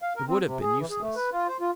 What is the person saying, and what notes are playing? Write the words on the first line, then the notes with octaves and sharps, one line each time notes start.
It would have been useless.
F5
A#4
C4
C3
G#4
E3
G#4
A3
B4
F4
C5
F4